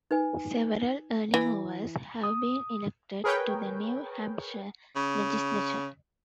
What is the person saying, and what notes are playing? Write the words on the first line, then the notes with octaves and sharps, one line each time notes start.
Several early movers have been elected to the New Hampshire legislature.
D#4 B4 G#5
E3
D#6
G#4 A#4 B4 C#5 G5
C#3